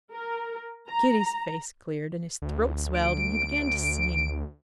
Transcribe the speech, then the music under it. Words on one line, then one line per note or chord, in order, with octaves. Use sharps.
Kitty's face cleared, his throat swelled and he began to sing.
A#4
A#5
D2
D7